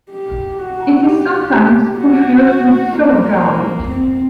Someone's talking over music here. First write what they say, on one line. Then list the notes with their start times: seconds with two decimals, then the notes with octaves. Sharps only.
It is sometimes confused with solo garlic.
0.10 G4
0.58 F#4
1.05 G4
1.98 F#4
2.93 A#3
3.88 C4